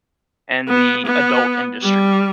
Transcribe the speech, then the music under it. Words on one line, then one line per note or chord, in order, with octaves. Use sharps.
and the adult industry,
B3
B3
G3